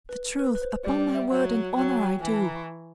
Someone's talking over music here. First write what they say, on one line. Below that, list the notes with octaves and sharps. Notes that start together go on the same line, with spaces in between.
'The truth, upon my word and honour I do.
B4
B4
B4
C5
G3 D5
D5
E5
F#3 F#5
F#3 G5
G#5
G5
E3 G#5
A5
A#5
C#6